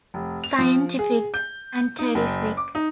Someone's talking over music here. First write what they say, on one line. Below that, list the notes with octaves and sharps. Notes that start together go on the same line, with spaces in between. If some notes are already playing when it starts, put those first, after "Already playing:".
Scientific and terrific.
F1
F7
F3
G#4
G6
D#4
F#1
D6
D#4